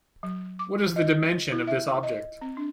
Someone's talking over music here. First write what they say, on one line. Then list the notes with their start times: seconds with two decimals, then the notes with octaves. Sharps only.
What is the dimension of this object?
0.23 F#3
0.59 D6
0.96 D#5
1.52 E4
1.67 E5
2.03 D#5
2.41 C4
2.57 D4